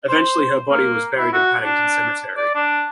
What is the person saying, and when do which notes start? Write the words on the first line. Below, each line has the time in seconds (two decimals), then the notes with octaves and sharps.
Eventually her body was buried in Paddington cemetery.
0.09 C5
0.71 A#3
1.18 E4
1.33 F#4
1.64 D4
2.37 D5
2.55 D4